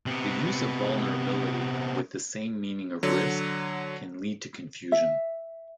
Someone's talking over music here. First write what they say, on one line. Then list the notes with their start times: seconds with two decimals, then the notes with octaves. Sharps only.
The use of vulnerability with the same meaning of risk can lead to confusion.
0.06 C3 B3
3.03 D3 F#3
4.92 E5